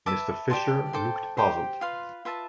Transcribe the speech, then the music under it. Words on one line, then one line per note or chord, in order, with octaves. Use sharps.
Mr. Fisher looked puzzled.
B4 E5 A5 D6
G4 D5 A5 C6
A4 C5 G5 D6
G4 C5 G5 D6
F4 B4 F5 C6
F4 B4 E5 A5